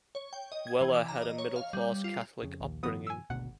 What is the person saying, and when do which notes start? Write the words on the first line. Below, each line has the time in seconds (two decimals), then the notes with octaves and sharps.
Weller had a "middle-class Catholic" upbringing.
0.15 C#5
0.33 G5
0.52 D#5
0.67 G#6
0.81 E3
0.94 D6
1.08 A#5
1.22 D#5
1.38 C#5
1.56 F5
1.73 G3
2.04 F4
2.43 F2 C#3
2.60 A#1 D#2
2.83 G2 D#3 F3 B3 D#6
3.07 G#5 E6
3.30 G#1 D2 B2 F#5